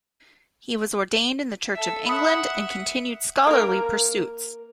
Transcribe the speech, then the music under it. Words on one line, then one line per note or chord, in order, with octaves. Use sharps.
He was ordained in the Church of England and continued scholarly pursuits.
A4 E5
E5 F#5 B5 D#6
A#3 A#4